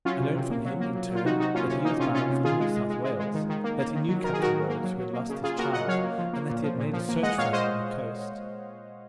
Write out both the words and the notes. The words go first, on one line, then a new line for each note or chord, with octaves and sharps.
I learned from him, in turn, that he was bound for New South Wales; that he knew Captain Rose, who had lost his child, and that he had made a search for her on the coast.
F#3 C#4 F4
C3
C3
A#3
F#3
A#3
F#3
F#3
F4
C3 D#4 F#4
C3 D#4 F#4
A#3 C#4 F4
C3 C#4
A#3 D#4
C3 C#4 F4
C3 C#4 F4
C3
D#3 F4 G#4
G#3
G#3
G#3
G#3
G#3
D#3
D#3
A#3
A#3
D#3
F#3
D#3 A#4
G#4
D#3 F#4 A#4
D#3
A#3
F#3
F#3
A#3
C#3
C#3 F4 G#4
A#3 F#4 A#4
C#3 D#5 F#5
F#3 C#5 F5
A#3
F3
A#3
A#2
F3
A#2
F3
A#3
G#3 D#5 F#5
A#2 C#5 F5
G#3 C5 D#5